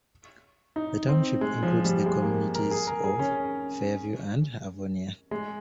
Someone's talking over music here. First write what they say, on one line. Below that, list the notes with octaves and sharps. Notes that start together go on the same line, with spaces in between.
The township includes the communities of Fairview and Avonia.
D#4
C4
G#3
F3
G3
G#3
A#3
A#4
G#4
A#4
G#4
C#4
G#3